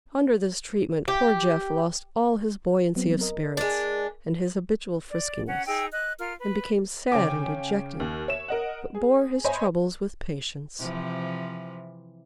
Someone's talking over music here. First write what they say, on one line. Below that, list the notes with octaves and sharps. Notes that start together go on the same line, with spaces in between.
Under this treatment poor "Jeff" lost all his buoyancy of spirits and his habitual friskiness, and became sad and dejected, but bore his troubles with patience.
G4
F#3 B3 C4
A#4 D#5
G#3 D4
D5
C#4 F#5
D#4 G#4 G5 E6
D#5 F#6
F4 A#4 F6
B4
C#3 C#4 G5 G#5 D6
D#2
C#5 E5 E7
A#4 D#5 F#5
G#4
C5 C#5 D#5 E5 G#5 B5
C3 E3 F3